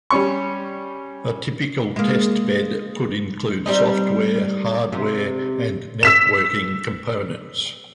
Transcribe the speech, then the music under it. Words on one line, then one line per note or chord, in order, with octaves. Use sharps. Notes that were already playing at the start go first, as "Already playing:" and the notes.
A typical testbed could include software, hardware, and networking components.
G3 C#4 C#6
G#3 A#3
G3 C4 D#4
C3
E6 B6 E7